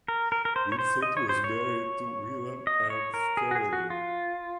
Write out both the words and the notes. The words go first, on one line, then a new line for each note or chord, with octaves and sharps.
Vincent was married to William M. Sterling.
A#4
A#4
A#4
C5
C#5
C5
D#5
C#5
C5
C#5
D#5
C#5
A#4
G#4
F#4
G#4
F#4
F4